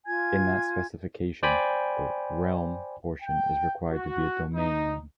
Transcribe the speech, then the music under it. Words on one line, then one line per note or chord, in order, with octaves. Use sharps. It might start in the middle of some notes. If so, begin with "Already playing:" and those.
In that specification, the 'realm' portion is required to be a domain name.
F4 G#5 G#6
C5 D5 G5 G#5 B5
G5
F#4
D#4